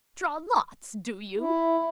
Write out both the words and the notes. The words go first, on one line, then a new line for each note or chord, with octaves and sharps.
Draw lots, do you?
E4